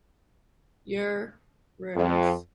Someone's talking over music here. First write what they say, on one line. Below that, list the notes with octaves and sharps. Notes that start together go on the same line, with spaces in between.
Your rooms.
F2